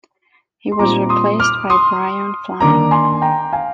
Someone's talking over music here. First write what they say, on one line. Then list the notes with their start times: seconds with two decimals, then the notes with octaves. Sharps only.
He was replaced by Brian Flynn.
0.72 C6
0.79 A#2 G3 C4 D#4 A#5 D6
1.09 C6 D#6
1.40 D6 F6
1.70 C6 D#6
2.60 D#3 A#3 D4 A#5 D6
2.91 G#5 C6
3.22 G5 A#5
3.53 F5 G#5